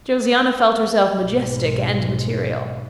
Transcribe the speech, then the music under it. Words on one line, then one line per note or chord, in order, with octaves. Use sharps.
Josiana felt herself majestic and material.
B1 G#2